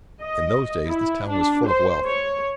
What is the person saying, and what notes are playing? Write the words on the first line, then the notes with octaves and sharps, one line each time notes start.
In those days this town was full of wealth.
D#5
E4
D4
C5
C#5